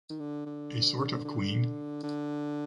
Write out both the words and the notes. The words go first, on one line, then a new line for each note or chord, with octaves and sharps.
A sort of queen.
D#3
D3
D3
D3
D3